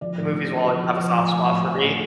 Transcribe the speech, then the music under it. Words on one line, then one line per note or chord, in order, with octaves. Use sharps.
the movies will always have a soft spot for me.
F3 D5
A2
F3
F3
F3
F3
F3
A2
F3 G#5
A2
F3
A2